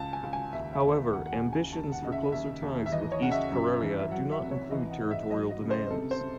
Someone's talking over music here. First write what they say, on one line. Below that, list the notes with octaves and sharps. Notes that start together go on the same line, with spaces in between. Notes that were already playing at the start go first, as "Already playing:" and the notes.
However, ambitions for closer ties with East Karelia do not include territorial demands.
Already playing: C#2 A5
G#5
C#2
G#5
D#2 E5
E5
D#2
D#2 F#5
F#5
G#5
C#3
G#5
D#2 A5
F#5
C#3 D#5
E5
D#2 E5
D#2
E5
E3 D#5
C#5
C#3 F#5
E5
F#2
E3
E5
F#3 F#5
E5
C2
C#5
E3 D#5
F#5
G#2
E5
F#3 D#5
D#5
C#3
C5
C3 A4
C5
C3